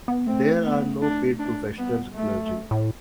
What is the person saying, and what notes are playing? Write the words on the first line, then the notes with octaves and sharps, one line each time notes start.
There are no paid professional clergy.
B3
A3 C4
B3
D4
D4
G3 B3
F#3 A3
A2